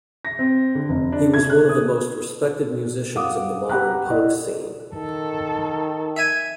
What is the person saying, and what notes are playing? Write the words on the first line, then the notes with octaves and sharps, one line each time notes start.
He was one of the most respected musicians in the modern punk scene.
A#6
C4
D3
F1
D4
G#6
F#6
D#6
F5 F#5 D6 D#6
G4 F#5 G5 A#5 B5 F#6
E4 D5 D#5
D#3 A4
E5 G#5